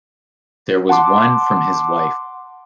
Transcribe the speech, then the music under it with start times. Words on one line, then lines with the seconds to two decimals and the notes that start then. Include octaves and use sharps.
There was one from his wife.
0.89 F#5 A5 C6 D6